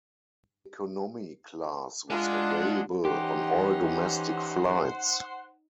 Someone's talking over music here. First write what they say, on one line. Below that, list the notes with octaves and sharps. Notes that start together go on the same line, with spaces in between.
Economy Class was available on all domestic flights.
G#3 D4 F4 F#5
E3 C#4 D#4 G4 C5 F#5